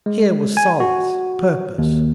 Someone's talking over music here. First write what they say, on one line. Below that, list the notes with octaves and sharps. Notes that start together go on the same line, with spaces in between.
Here was solace, purpose.
G#3
G#5
F#4
D#2